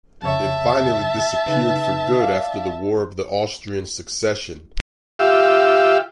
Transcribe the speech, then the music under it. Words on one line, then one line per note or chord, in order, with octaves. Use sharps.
It finally disappeared for good after the war of the Austrian succession.
F2 C#3 C#5 E5 A5
C#3 D#4 B4
D5 F5
F4 G4 E5